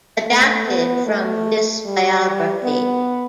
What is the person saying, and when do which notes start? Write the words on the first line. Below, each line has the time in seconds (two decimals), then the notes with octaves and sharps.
Adapted from this biography.
0.27 A3
0.67 B3
1.06 A3
1.86 G3
2.63 B3